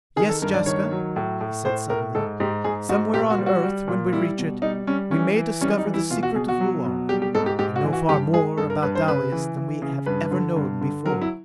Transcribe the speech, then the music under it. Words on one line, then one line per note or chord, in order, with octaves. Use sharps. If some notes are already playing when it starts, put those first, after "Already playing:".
"Yes, Jaska," he said suddenly, "somewhere on Earth, when we reach it, we may discover the secret of Luar--and know far more about Dalis than we have ever known before!"
D#3 G#4
A4
G2 A#4
D5
D#3 C#5
F#3
A2
A2
A2 C5
A2 A#4
G#2 A4
G#2 G4
G#2 G#4
G#2 F#4
A#2 G4
F#4
G3
F#4
G3
A#2
G3 E4
B2
G3 D#4
G3 C#4
E3 C#4
E3
G3 C#4
D#4
E3
E4
B2 F4
F#4
B2 G#4
F#4
F#3
B2
G3 G4
G4
G#2 A4
G4
G#2 G4
F#4
E3
F#4
G2 G4
G#3 G#4
G2 A4
A#4
G2 B4
C5
C#3 B4
E3
E3
C#3
G2 B4
D3
G2
D3
F#3 A#4
E4